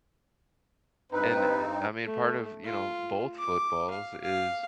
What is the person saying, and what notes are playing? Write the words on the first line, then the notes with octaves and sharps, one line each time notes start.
And, eh I mean, part of, you know, both footballs, is
G2 C4 D#4 B4
A3
F4
D6
F5
F5